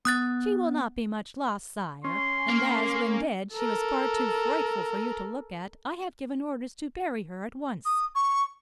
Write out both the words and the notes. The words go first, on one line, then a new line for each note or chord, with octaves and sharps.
"She will not be much loss, sire; and as, when dead, she was far too frightful for you to look at, I have given orders to bury her at once."
B3 D#6 F#6 A6
C#4 C6
A#3
A4 A#4
D#6
C#6